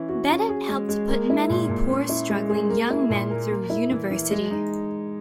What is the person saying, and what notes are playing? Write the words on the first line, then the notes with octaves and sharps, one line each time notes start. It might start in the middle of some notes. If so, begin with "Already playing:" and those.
Bennett helped put many poor, struggling young men through university.
Already playing: E3 C#4
F#4
C#4
G#4
G#3
G#3
A#3
E4
A#2
A#2
C#4
E4
G#3
G#4
A#3
E4
A#2
A#4
A#3
E4
E3
E3
G#3
D#4